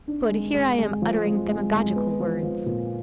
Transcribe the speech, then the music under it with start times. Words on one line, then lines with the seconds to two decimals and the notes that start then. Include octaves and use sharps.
Good, here I am uttering demagogical words!
0.07 D4
0.30 G#3
0.54 G#3
0.78 G#3
1.02 F3
1.25 G#3
1.49 G#3
1.72 G#3
1.96 B3
2.20 F3
2.43 F3
2.66 A#2